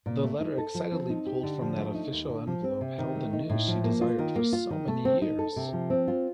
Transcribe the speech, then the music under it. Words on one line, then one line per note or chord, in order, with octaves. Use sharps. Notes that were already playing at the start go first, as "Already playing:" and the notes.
The letter excitedly pulled from that official envelope held the news she desired for so many years.
A#2
A3
D#4
A4
F3
C4
D#4
G4
D3
F3
A3
D#4
D#2
D3
F3
C4
C3
D#3
A3
D#4
A2
F3
A#3
F4
D#3
A#3
F4
D#3
A3
C4
D#4
A4
C3
F3
C4
F4